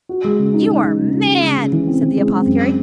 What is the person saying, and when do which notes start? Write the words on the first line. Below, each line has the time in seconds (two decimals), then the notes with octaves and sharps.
'You are mad!' said the apothecary.
0.09 F#4
0.24 G#3
0.39 C#3
0.54 D#4
0.68 G#3
0.84 G#3
0.99 C#3
1.13 C#3
1.28 G#3
1.43 C#3
1.58 C#3
1.72 E3
1.87 C4
2.02 E3
2.17 G#3
2.32 C4
2.46 F#2